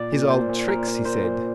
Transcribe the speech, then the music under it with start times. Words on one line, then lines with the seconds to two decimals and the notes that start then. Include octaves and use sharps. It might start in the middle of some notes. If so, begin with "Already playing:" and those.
"His old tricks," he said.
Already playing: A#2 D5
0.12 A#2
0.30 A#2 C5
0.49 A#2
0.67 A#2 A#4
0.87 A#2
1.05 A#2 C5
1.24 A#2